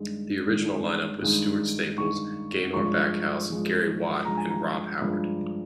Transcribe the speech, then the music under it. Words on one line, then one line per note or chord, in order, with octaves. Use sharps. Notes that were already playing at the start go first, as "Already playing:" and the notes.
The original line-up was Stuart Staples, Gaynor Backhouse, Gary Watt and Rob Howard.
Already playing: G2 D#3 G#3
G2 D#3 G#3
G2 D#3 G#3
G2 D#3 G#3 C#6
G2 F3 G#3 C#6
G2 F3 G#3
G2 F3 G#3 A#5
G#5
A#5
G2 F3 G#3